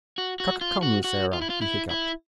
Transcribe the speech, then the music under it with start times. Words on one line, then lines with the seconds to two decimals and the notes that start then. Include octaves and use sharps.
"Cuc-come, Sarah," he hiccuped.
0.18 F#4
0.40 F#4
0.61 F4
0.83 F#4
1.04 F#4
1.33 F4
1.42 E4
1.50 F4
1.62 E4
1.91 E4